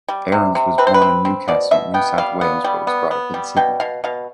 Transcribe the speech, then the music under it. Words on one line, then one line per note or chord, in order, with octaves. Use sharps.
Aarons was born in Newcastle, New South Wales but was brought up in Sydney.
G3
C3
C3
C4 B4
C5
B4
C4
C4
B2 D5
B2 E5
B3 G5
G3 F5
B3
G3
B3
B3
G3
B2 G5
B2 F5
B2 F5